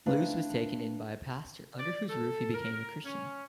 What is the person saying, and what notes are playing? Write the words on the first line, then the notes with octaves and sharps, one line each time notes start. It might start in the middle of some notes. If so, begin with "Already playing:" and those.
Luce was taken in by a pastor, under whose roof he became a Christian.
A3 C4 D4 B4 F5 A#5
D5
A4
A#4
C#4